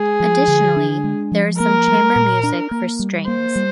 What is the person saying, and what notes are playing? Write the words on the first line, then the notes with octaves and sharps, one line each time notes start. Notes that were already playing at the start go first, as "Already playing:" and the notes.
Additionally, there is some chamber music for strings.
Already playing: G#3 G#4
F3
D3
D4
G#3
F3
A#3 A#4
G3
A#2
D4
A#3
G3
A#3 C5
G3